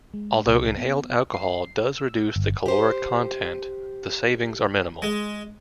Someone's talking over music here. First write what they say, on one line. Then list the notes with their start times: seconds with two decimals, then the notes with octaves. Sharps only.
Although inhaled alcohol does reduce the caloric content, the savings are minimal.
0.14 G#3
0.46 C2
0.77 B3
1.34 C7
1.98 E6
2.36 G1
2.66 G4 C5
5.02 G#3